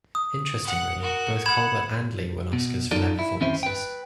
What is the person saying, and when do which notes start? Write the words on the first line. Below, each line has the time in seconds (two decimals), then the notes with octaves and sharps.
Interestingly, both Colbert and Leigh won Oscars for their performances.
0.15 D#6
0.65 F#5
0.99 F#4 A#4
1.46 F#5 B5 G#6 E7
2.53 B2
2.91 F#2 D#4 F4 A4 D5
3.19 E4
3.41 D#3 C4 C#4 E4 C5 E5
3.63 B4 G5